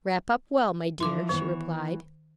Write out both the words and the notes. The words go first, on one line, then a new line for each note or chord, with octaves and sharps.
"Wrap up well, my dear," she replied.
E3 F3 C6 D6
D#3 E3 B3 C#5